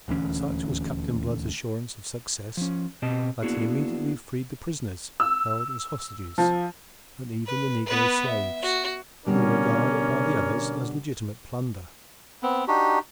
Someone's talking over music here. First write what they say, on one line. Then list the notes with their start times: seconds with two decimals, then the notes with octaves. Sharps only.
Such was Captain Blood's assurance of success that he immediately freed the prisoners held as hostages, and even the negro slaves, who were regarded by the others as legitimate plunder.
0.08 D#1 D2 E3 C#4
2.57 F3 C#4
3.02 B2 C4 G4 D#5 A5
3.42 A#3 B3 D4 E4 F#4 G#4
5.20 E6
6.38 F3
7.46 B4
7.86 B3 B4
8.26 E5
8.62 F#4
9.26 B2 D3 G3 C#4 A#4 D5
12.43 B3 C4
12.68 D4 D#4 F#4 G4